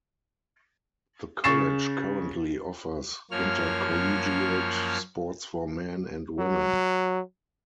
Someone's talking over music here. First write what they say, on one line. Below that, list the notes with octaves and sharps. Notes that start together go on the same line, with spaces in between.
The college currently offers intercollegiate sports for men and women.
C#3 C#6 A6 C7 E7
F#2 F3 A#3 C#5 F6
F#3